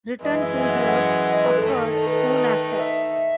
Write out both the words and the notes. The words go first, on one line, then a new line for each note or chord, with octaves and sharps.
Return to Earth occurred soon after.
F#2 E3 G#3 D#5
E5
G#5
F#5
E5
F#5
D#5
B4
A4
D#3 A3 D#4 A4
A4
B4
E5